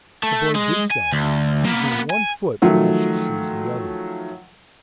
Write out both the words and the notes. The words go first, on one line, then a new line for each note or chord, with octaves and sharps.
The boy did so, seizing one foot while she seized the other.
A3
G#3
G#5
D2
A#3 B3
G#5
D#3 F3 F#3 A3